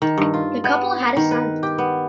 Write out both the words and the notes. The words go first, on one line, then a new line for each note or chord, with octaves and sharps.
The couple had a son.
D#3
G2
F4
B3
D#3
B4
G4
B3